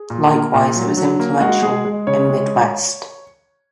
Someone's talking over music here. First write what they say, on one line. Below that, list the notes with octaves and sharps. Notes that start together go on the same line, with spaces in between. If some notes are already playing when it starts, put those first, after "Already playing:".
Likewise it was influential in Midwest.
Already playing: G#4
A#2
A#3
A#2
F#3
F#3
A#3
G#3 F#4
G#3 G#4
G#3
C#3 C#5
G#3